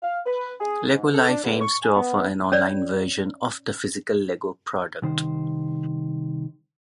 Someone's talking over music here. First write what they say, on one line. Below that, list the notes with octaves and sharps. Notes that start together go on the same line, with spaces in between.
Lego Life aims to offer an online version of the physical Lego product.
F5
B4
G#4
G#2
A4
D4
E2
C#6
G#5
B3
C#4 C#5 D5
C2 D#3 C5